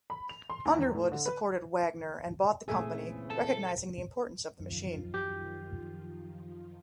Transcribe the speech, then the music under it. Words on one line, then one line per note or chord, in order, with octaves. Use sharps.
Underwood supported Wagner and bought the company, recognising the importance of the machine.
B5
F7
C6
D#2
E2
A2
D3
B4
A#2 C#3 E3 A3 C4 G#4 E5 G#5
A4
F#2 D#3 F3 F4
G4